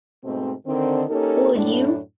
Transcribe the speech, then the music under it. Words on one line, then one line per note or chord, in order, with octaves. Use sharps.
Would you?
G#2 B2 A3 C4
D3 D#3 C4
A#3 C#4 D#4 G4 A4 A#4
F#2 A2 D4